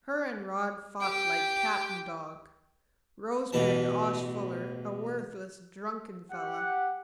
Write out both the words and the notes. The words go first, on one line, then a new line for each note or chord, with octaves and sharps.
Her and Rod fought like cat and dog. Rose married Osh Fuller, a worthless, drunken fellow.
G4 G5
A1 E2 B2 E3 A5
G4 F#5